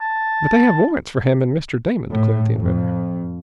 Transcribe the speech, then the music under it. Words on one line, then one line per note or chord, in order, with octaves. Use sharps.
"But they have warrants for him and Mr. Damon," declared the inventor.
A5
A2
F2